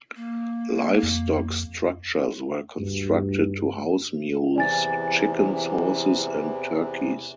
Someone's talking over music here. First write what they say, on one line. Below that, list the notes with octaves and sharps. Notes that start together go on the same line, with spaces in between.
Livestock structures were constructed to house mules, chickens, horses, and turkeys.
A#3
F2
D2 G2
E2 C3 E3 D5 G#5 A6